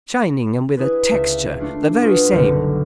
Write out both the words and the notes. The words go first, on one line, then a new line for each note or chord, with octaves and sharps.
Shining and with a texture--the very same.
E4 G#4 B4
C#2 E5
A3 D4 F4 C7
F4 F#4 G#4 B4
F#1 B1 D3 G3 A4 A#4